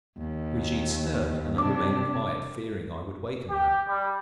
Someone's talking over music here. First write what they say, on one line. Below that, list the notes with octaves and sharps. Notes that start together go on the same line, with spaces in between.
Brigitte stirred and I remained quiet, fearing I would waken her.
D#2
C3 D4 D6
G4
G3